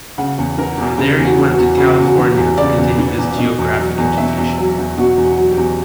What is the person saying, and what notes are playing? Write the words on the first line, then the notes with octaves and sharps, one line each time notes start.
From there he went to California to continue his geographic education.
C#3 F#5
E2
E3 A#4
E2
C#3 G4
E2
F#4
E3
F#4
E2
C#3 F#4
E2
F#4
E3
G4
E2
C#3 D5
E2
E3
E2
B2
E2
F#3
E2
B2 E5
E2
F#3
E2
B2 F#4
E2
F#4
F#3
G4
E2